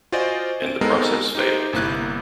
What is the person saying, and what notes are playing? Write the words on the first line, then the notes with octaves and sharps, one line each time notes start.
And the process failed.
F4 F#4 C5 D5 D#5 G#5
C4 D7
G#3 B3 C4 D#4 A4 A#4
D#4 G4 C5
G1 C3 A#3 E4 F#6